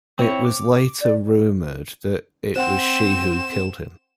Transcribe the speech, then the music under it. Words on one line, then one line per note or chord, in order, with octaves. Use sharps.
It was later rumoured that it was she who killed him.
C4 E4 C#5
D6
D5
C4 C5 F#5 G5 E7